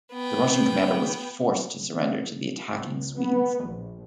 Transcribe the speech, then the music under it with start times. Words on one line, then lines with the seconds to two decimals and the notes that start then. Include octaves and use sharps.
The Russian commander was forced to surrender to the attacking Swedes.
0.12 B3 G5
2.73 C#2
3.18 B3
3.64 A#1